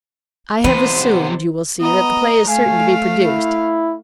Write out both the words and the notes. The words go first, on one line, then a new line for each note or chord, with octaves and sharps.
I have assumed, you will see, that the play is certain to be produced.
B1 C3 E3 B3 C5
B3 D#5 A#5
A3 F5 G#5
E4